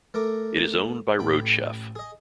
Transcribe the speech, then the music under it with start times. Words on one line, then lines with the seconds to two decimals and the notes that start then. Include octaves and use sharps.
It is owned by RoadChef.
0.14 A3 A#4 D6
1.19 A1 G5 B5
1.95 G#4 D#5